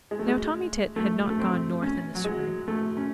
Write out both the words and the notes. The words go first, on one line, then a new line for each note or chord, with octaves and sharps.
Now Tommy Tit had not gone north in the spring.
G#3
A3
G#3
A3
A3
C4
C#4
F#3
G#3
A3
C#4